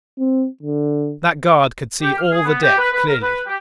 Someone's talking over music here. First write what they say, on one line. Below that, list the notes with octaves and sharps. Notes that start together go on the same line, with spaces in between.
That guard could see all the deck clearly.
C4
D3
G4
F6
G#4
B3
G4
B4
B4
A#4
B4
G4